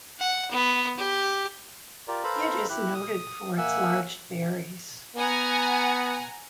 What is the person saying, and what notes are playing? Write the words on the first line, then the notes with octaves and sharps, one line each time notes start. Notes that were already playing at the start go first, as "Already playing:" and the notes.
It is noted for its large berries.
F#5
B3
G4
F4 G4 A#4 D5
A4 B4 C5 F5 A#5 B5
E4 G4 F#6
D#6
A#3 E5 F#5 G#5 E6
B3 F#5 G#5 A#5